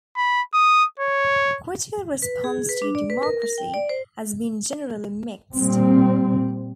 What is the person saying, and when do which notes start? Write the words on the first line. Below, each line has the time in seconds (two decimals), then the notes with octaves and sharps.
Critical response to "Democracy" has been generally mixed.
0.16 B5
0.54 D#6
0.99 C#5
2.22 B4
2.44 G#4
2.69 B4
2.82 D4
2.95 D5
3.10 B4
3.23 A#4
3.42 A#4
3.58 G5
3.74 D5
3.89 C5
5.54 A#2 G3 C4